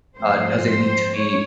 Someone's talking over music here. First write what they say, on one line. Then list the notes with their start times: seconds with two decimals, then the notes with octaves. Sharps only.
uh, doesn't need to be
0.15 G#2 F3 A3 C4 C5
0.66 C5
1.16 C#5